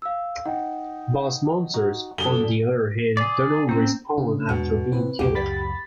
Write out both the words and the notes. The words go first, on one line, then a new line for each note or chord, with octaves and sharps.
Boss monsters, on the other hand, do not respawn after being killed.
F5 E6
D#4 F#5 G5
D#4 F#4
F#2 D3 G#4 A4 G7
G#4 D5
A#3 C4 C#4
C#3 D4
E2 G#2 B2 G#3
C3 E3 C4 B4
C#2 F#2 G4
B5 A6 B6